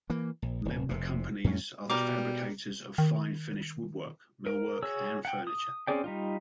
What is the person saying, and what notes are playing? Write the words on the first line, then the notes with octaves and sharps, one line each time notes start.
Member companies are the fabricators of fine finished woodwork, millwork, and furniture.
E3 A#3
A#1
D1
F1 C3
F2 A2 F#3 C#4
B2 G3 A#4 D6
D#3
A#4
F#4 G#4 C#5 E6
F#5 G5
D#6
C4 C#4 G#4 D5 G5
G3 D#4 F4